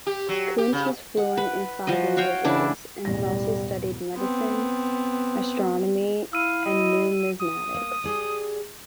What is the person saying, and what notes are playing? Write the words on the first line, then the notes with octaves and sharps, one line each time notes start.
Kunze was fluent in five languages and had also studied medicine, astronomy and numismatics.
G4
F#3
G4
C#3
F#5
B4
F3 F#4 D#5
F#4 C#5 F5 G5
C#3 E3 D4 E4
E1 A1 G3 A#6
B3 C4
E4 F5 E6 D#7
D#5
D#6
A#3
G4 G#4 D5